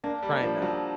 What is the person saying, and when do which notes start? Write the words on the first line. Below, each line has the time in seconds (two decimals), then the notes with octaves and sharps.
trying to
0.04 A#3 D4
0.22 G3
0.32 A#3
0.42 F3
0.62 F3 F#3